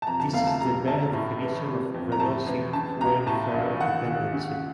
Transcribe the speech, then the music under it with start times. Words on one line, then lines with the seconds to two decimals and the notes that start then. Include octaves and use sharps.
This is the very definition of reducing welfare dependency.
0.02 A5
0.07 F2 A#5
0.20 A5
0.33 F1 F5
0.47 A5
0.61 F#2 A#5
0.87 F#1 A5
1.13 A2
1.40 A1
1.68 C3
1.94 F2
2.12 A#5
2.20 A2 A5
2.46 A1
2.73 C#3 A5
3.01 C#2 A#5
3.27 A2 A5
3.54 A#1
3.80 D#3 F#5
4.07 D#2
4.33 C#3